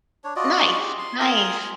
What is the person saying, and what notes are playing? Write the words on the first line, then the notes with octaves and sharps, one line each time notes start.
Nice. Nice.
D4 C#5
F4 F#4 D5 D#5
G4 G#4
C6
F4 A#4 G#5 D#6
G#5